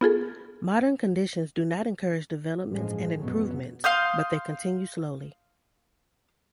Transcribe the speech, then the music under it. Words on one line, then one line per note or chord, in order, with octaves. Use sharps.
Modern conditions do not encourage developments and improvements, but they continue slowly.
B3 F4 G#4 A4
A1 G2 F3 G#3
F#2 B2 F#3 B3
F5 C6 D#6 G6